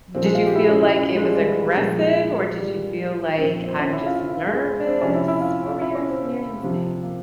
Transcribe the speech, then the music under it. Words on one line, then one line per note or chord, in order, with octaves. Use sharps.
Did you feel like it was aggressive or did you feel like I'm just nervous? What were you experiencing?
A#2 F3 C4
G#3
F4
G4
E4
C#4
E4
C#4
G#3
G3
G#3
G3
A#2 F3 G#3
G#3
G3
A#2 F3 C4
C4
C4
C#4
E4
F4
F4
F4
G#3
C4
C3 F3 C#4
E4
E4
F4
F4
E4
C#4
C4
C3 F3
A#3